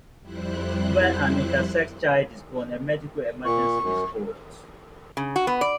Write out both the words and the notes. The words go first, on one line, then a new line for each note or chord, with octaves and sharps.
When an intersex child is first born, a "medical emergency" is called.
F2 G3 E4 C5 F#6
A#2 C#6
F#2
C#3
F#4
B3
D5